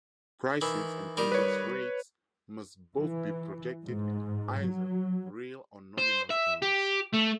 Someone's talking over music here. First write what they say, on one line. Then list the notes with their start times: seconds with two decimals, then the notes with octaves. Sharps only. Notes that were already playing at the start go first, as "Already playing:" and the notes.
Prices and interest rates must both be projected in either real or nominal terms.
0.61 D#3 E3 E4
1.17 D#3 G3 A#4
1.32 B4 C#5
2.96 E3
3.85 G#2
4.59 F#3
5.98 C5
6.30 E5
6.62 G4
7.14 A3